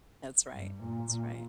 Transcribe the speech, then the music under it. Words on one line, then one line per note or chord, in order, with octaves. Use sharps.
That's right, that's right.
G2
A#2
A#2